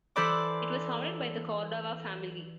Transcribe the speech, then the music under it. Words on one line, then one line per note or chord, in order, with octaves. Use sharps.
It was founded by the Cordova family.
E3 A4 C5 D5 B5 D6